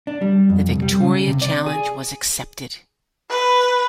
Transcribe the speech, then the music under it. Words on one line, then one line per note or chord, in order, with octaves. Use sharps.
The Victoria challenge was accepted.
D4
G3
F2
C2
G3
C#3
C3
D5
G#4
B4